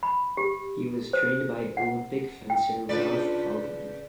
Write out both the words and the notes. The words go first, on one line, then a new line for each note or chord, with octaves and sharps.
He was trained by Olympic fencer Ralph Faulkner.
B5
G4
C5
F#5
G5
C#3 D4 F4 B4 D5